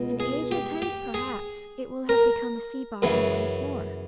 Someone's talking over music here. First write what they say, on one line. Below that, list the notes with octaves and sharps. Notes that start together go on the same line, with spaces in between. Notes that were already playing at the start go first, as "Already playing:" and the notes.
And ages hence, perhaps, it will have become a sea-bottom once more.
Already playing: C#2 B2
G#4
G4
G4
G#4
A#4
F#2 C#3 E3